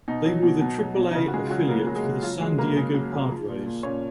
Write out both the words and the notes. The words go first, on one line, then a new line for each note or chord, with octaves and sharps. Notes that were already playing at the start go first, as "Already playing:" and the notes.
They were the Triple-A affiliate for the San Diego Padres.
B2 D#4
F#3
B2
B2
F#3
B2
D#4
C#3 F3 F4
F#4
C#3 G#3 G#4
F4
F#3 F#4
F#3 A#3 A#4
F#3
G#3 G#4
C#3
F3 F#3 F4
F#3 G#3 G#4
C#3 A#3 A#4
C#3
F#3
C#3
F3
A#2
A#2
A#2 C#4 C#5